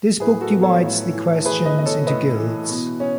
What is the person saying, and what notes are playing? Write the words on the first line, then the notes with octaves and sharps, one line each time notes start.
This book divides the questions into guilds.
A2 G#4 B4
F#4 A4
B3
A4 C#5
A2
E3
A2 G#4 B4
B4 D#5
B3 D#5
A4 C#5
A2 B4 D#5
E3
B2
C#4